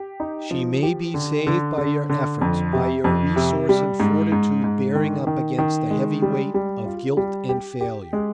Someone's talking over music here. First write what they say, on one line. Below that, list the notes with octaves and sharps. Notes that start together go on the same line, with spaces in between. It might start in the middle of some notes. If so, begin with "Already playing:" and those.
She may be saved by your efforts, by your resource and fortitude bearing up against the heavy weight of guilt and failure.
Already playing: G4
D#4
F3
G4
D3
D3
D3
D3
F2
C3
F2
C3
G3
G#2
G#2
G#2
D#3
D#3
D#3
G#3
G3
G3
F4
G3
G4
G4
G#3